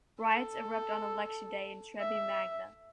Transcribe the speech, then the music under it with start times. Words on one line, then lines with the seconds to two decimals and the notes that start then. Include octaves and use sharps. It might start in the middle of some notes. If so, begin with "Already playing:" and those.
Riots erupt on election day in Treby Magna.
0.21 A4
2.00 E5